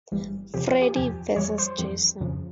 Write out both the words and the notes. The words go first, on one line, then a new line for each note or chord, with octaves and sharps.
"Freddy versus Jason".
G1 G2 E3 G3
E2 C3 F3 G4
F4
G4
E2 C3 F3 G4
F2 E3 G3 C#5
C5
F2 E3 G3
F2 C#3 F3